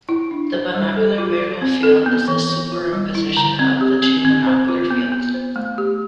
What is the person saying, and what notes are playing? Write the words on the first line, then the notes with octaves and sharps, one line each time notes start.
The binocular visual field is the superimposition of the two monocular fields.
E4
D4
C5
G3
A4
F4
D5
C4
A4
B3
E3
E3
F4
G3
E4
D3
C4
G4
C4
C4
C5
F4
B3
B3
C5
A3
G4